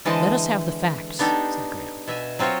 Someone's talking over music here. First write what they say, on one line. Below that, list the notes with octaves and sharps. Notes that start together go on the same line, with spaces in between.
"Let us have the facts," said Graham.
D3 E3 G#3 C5 D#5 A5
B3 D4 D#4 G4 A4
B2 E5 G#5
F#3 C4 F4 C5 C#5